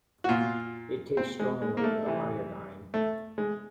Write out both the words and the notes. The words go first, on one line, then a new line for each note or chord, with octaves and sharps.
It tastes strongly of iodine.
F#4
A#2 F4
C4
G#3
G#3
A#3
A3
C3 E3
A3
G#3